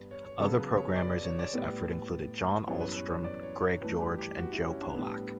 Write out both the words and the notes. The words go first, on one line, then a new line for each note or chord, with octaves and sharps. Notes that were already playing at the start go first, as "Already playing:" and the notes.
Other programmers in this effort included John Ahlstrom, Greg George, and Joe Polak.
Already playing: G2 B3
C#5
C#5
C#3 F#3 B3 A4
B4
C#5
D5
D5
C#5
D5
A2 G3 B3
F#2 E3 G3 B3 C#5
B4
C#5
C#5
D5
C#5
C#5
G2 E3 A3 B4
G4
G4
F#4
E4
C#4
D4
A2 G3 B3